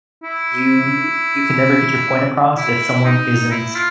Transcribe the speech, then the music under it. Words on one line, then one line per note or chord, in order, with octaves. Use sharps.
you you can never get your point across if someone isn't
E4
E4
D#4
E4
F4